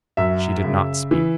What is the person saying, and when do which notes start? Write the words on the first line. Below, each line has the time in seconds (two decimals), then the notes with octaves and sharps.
She did not speak.
0.17 F#2 E5
0.64 C#3
1.11 E3